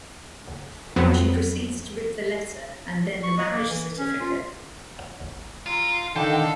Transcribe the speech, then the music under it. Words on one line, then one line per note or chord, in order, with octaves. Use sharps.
She proceeds to rip the letter and then the marriage certificate.
F2 F#3 B3 C4
C#6
D#5
A#3
E3
C#4
F4
F4 A#5 C6 E6
D3 D#3 A4 D#5 F5 G5